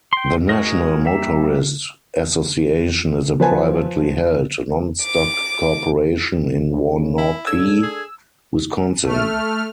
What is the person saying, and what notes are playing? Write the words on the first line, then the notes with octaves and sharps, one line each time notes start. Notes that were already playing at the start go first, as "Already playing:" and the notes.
The National Motorists Association is a privately held, Non-stock corporation in Waunakee, Wisconsin.
G5 C6
G#3 F#4 A#4 D#5
G3 A#3 E5
F3 B4 G#5 A5
D6
C#3
E4
C#3 D4 A4 E6 G#6
G#4
A3 F6